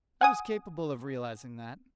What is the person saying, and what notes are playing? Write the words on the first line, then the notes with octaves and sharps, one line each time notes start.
I was capable of realising that.
F#5 G#5 D#6